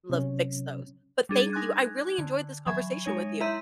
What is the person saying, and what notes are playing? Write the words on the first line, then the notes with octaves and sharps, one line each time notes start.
l fix those. But thank you, I really enjoyed this conversation with you.
C3 F#3 C#4
G3 D4 G#4
D#4 G#5 C6 D6 F#6 G#6
D3
E3 F#3 E5 G#5 C#6 G#6
G#3 D#4 C#5 G#6 D#7
E4 E5 A#5 C6 G6 D#7